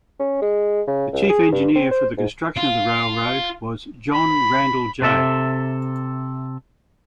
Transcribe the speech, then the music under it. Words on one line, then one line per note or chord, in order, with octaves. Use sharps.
The chief engineer for the construction of the railroad was John Randel J.
C#4
G#3
C#3
C#2
G#4
G2
C4
C5
G#2
F4
B5
C3 A4 E5